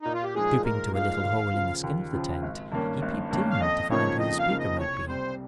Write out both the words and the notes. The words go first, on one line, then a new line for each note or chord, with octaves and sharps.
Stooping to a little hole in the skin of the tent he peeped in to find who the speaker might be.
A#2 D#4
F4
G4
F3 G#3 D#4 G#4
A#2 A#4
F3 G#3 D#4 F5
D#2
C#3 F3
D#2
C#3 F3
G#1
G2 D#3 A#3 C#4
G#1
G2 D#3 A#3 C#4
F5
F2 D#5
C#3 F3 A#3 D#4 C#5
F2 D#5
F5
C#3 F3 A#3 D#4
D#5
C2 C#5
C3 G3 C5